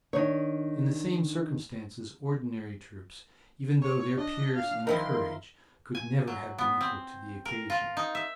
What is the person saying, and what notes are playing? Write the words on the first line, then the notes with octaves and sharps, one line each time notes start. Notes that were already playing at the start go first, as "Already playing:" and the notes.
In the same circumstances ordinary troops, even though their peers in courage, could never have been equal to the occasion.
D#3 D4 C#5
C#5 C#6
D4 D#5
F5
D#3 F3 E4 A#4 C6
G#5
F#3
B3
C4
A#4
F4
D#4
E5